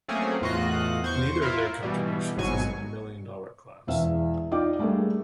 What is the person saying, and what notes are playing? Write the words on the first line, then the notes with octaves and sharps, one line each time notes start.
Neither of their contributions is in the million-dollar class.
F#3 A3 A#3 C4 C#4 G#4
E2 A2 F4 F#4 D#5 F#6
E2 C5 C#6
E4 F4 A#4
B2 E3 G3
G#1 G#2 B2 F#3 G#5 C#6
E1 E2 E5 F5
D#4 F4 D5 D#5 G5 D6
G3 A3 A#3 D4 G#4